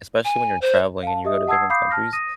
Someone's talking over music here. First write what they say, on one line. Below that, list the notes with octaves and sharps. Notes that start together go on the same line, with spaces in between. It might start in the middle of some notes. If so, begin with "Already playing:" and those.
especially when you're traveling and you go to different countries,
G#5
C5
F5 A5
G4 D#5 E5 D#6
F#5 A5 D#6 E6 G#6 C7
F5 B5 D6 D#6 G6 C7
A5 F6 A#6
D#6 A#6 D#7